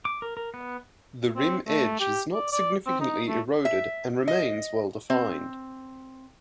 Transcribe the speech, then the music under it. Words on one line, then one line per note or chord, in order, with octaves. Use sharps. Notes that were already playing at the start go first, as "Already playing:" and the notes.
The rim edge is not significantly eroded and remains well-defined.
D6
A#4
A#4
B3
C4
A3
G4
D5
D5
C4
D#4
A3
E5
D#5
C4